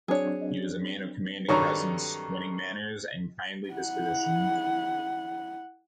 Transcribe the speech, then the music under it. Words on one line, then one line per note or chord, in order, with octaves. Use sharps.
He was a man of commanding presence, winning manners, and kindly disposition.
F#3 C4 D4 G#4 C#5
G2 D#3 G3 F#4 A4 C#5 A#5 C#6
E4 F#5